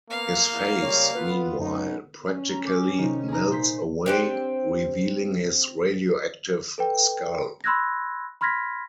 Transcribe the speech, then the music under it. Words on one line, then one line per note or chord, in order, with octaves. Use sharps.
His face, meanwhile, practically melts away, revealing his radioactive skull.
A#3 B3 F5
E2 E3
C#3 G3 C#5
B3 F4 B4
F#2 B3 C#4 D#4
C#4
A#5
G4 G#4 C#5 D6
C3 D#3 D#4
D#4 G#4 A#5
A#2 C5 B6
C4 D4 G4
A4 B4 G5
B5 C6 E6 F#6 G#6 A#6
B5 C6 F6 G#6 A#6 B6